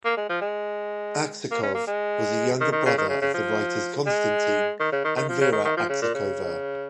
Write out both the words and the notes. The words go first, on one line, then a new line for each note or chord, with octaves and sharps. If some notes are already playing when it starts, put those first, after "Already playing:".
Aksakov was a younger brother of the writers Konstatin and Vera Aksakova.
A#3
G#3
F3
G#3
A#3
C#4
A#3
G#3
D#3
D#3
C#3
D#3
C#3
C#3
F3
G#3
D#3
C#3
D#3
D#3
F3
C#3
D#3
D#3
F3
C#3
A#2
C#3